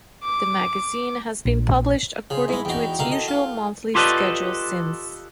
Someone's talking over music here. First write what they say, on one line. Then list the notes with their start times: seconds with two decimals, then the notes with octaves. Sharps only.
The magazine has been published according to its usual monthly schedule since.
0.24 D6
1.45 A#1
2.30 C#3 G#4 C5
2.48 G#2 G#3 E4 B5
2.65 E2 D#4 F#4 G5
2.99 C#2 D3 A#4 F5
3.11 A4 D#5
3.28 F4 F5
3.95 F4 G4 A4 B4 D5 D#5